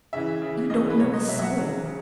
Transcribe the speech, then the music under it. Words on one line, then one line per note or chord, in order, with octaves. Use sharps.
You don't know a soul.
C#3 E3 E5
C#3 E3
C#3 E3 D#5
B4
B2 F#3 C#5
D#5
B2 F#3 E5
E5
F#5
C#3 F#3
C#3